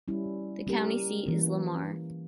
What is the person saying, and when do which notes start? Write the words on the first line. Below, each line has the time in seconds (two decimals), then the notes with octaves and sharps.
The county seat is Lamar.
0.08 G3 C#4 E4
0.67 G3 A#3 C#4 G4 A#4
1.26 E3 A#3 C#4